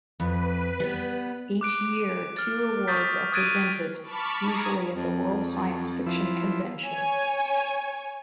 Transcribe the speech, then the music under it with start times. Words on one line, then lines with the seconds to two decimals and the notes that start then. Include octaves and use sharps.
Each year, two awards are presented, usually at the World Science Fiction Convention.
0.20 F2 B4
0.80 G3 B3
1.61 D6 F#6 D7
2.37 F6 A6
2.87 C#6 D#6 F6 G6 A6 B6
3.32 D#6 F#6 G#6 A6 D7 D#7
4.03 A5 B5 C#6 D6 F6
4.41 A#5 D#6 G#6
4.94 F2
6.06 F3 E4
6.85 C#5 G#5